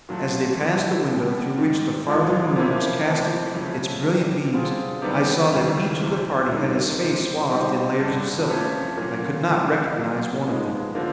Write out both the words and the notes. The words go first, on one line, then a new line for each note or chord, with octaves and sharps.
As they passed the window through which the farther moon was casting its brilliant beams, I saw that each of the party had his face swathed in layers of silk--I could not recognize one of them.
A#2 F#3 A3
D3 G3 B3 E4
B2 G3 B3 D4
G#2 D#3 G3
C2 A#2 F3 G#3
C3 F3 A#3 C#4 E4
C3 E3 A3
F#2 C#3 F3 A3 C#4
C3 E3 G3
D3 G3 C4 F4 G#4
C3 D#3 G3 B3 D4
D#2 C#3 E3 G3
D2 C3 E3
G2 D#3 G3 A#3 D#4
C3 E3 G#3 C4
A#2 G3 C4 D#4 G4
G2 D3 G3
C3 F3 A3 C#4
A#2 F#3 A#3 C#4
C2 C3 E3 G#3
A#2 F#3 A#3
G#2 F3 G#3 B3
D3 F3 A#3 D4